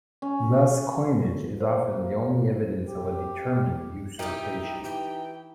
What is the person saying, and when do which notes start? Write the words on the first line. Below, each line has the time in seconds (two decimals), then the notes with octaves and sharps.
Thus coinage is often the only evidence of a determined usurpation.
0.22 C#4
1.61 A#3 C5
2.88 G4
4.19 D#4 E4 G4 G5
4.84 E3 G5